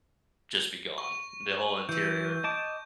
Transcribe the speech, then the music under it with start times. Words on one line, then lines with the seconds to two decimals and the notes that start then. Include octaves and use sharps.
just be gone, the whole interior.
0.98 C#6
1.89 E3 G6
2.44 D#5 A5 D6